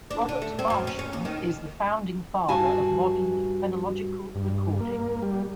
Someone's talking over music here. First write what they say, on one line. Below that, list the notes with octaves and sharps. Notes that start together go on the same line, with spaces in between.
Robert Marsham is the founding father of modern phenological recording.
D4
D3
A3
C4
F#2
C#4
C#4
D#2
D#3
G2 G3 F#4 F5 G#5 A5
G2
A#3
G3